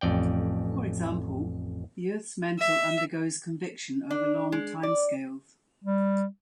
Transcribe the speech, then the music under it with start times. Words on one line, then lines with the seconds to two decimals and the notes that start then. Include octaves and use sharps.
For example, the Earth's mantle undergoes convection over long time scales.
0.01 A1 F2 D5 G5
2.59 E5
4.11 D4
4.52 G#3
4.83 D5
5.84 G3